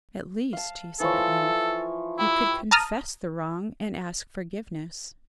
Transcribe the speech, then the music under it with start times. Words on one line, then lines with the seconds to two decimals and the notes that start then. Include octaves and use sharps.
"At least," he said at length, "you could confess the wrong, and ask forgiveness."
0.53 F5 A5
1.00 E3 F3 A4 C#5
2.19 E4 G4
2.71 A5 A#5 D#6 F6